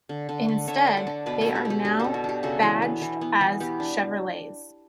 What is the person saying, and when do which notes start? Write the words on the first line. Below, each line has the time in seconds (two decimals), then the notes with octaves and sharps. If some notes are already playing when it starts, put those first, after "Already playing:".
Instead, they are now badged as Chevrolets.
0.09 D3
0.29 D3
0.48 D3
0.68 D3 C#5 E5
0.87 D4
0.97 D5 F#5
1.07 D4
1.26 B2 B4 D5
1.41 B2 A4 C#5
1.55 G4 B4
1.65 B2
1.70 G4 B4
1.85 D4 G4
1.99 B2 F#4 A4
2.14 F#4
2.24 D4 G4
2.43 C#3 F#4 A4
2.63 E3
2.82 B3
3.02 E3
3.21 B3
3.41 E3
3.60 B3 G4
3.80 D4